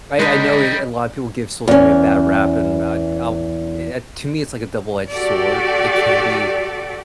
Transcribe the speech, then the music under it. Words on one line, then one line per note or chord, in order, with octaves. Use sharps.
I I know a lot of people give social media bad rap, and I'd I'll, eh eh, to me, it's like a double edged sword. It can be
D3 G3 G#3 D#4 B4 D#5
E2 C#4
F#4 G4 A4 D5